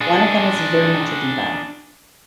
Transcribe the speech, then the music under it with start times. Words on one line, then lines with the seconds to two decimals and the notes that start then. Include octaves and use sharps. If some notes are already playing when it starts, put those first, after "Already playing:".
one of them was very much a diva,
0.01 D4 G#4